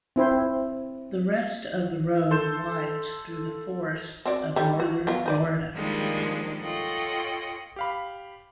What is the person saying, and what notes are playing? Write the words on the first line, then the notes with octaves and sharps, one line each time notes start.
The rest of the road winds through the forests of Northern Florida.
C4 E4 C5
A4 C6 G6 E7
C4 F#4 D5
D3 G3
F#4
F#3 B3 F4
D#4 B4 D5
D#3 F3 G3 G#3 A#3 D4
F4 A4 C#5 D#5 F#5 G5
G4 F5 B5